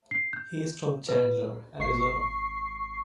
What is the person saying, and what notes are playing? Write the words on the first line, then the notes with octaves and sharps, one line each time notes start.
He is from Chandler, Arizona.
C7
G6
B4
G#1 C#6 C7